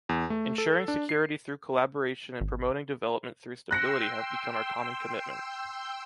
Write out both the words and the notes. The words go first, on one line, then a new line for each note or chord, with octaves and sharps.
Ensuring security through collaboration and promoting development through stability have become our common commitment.
E2
A3
A4
D4
C7
G#1
G5 C6 E6 F#6 A#6 C#7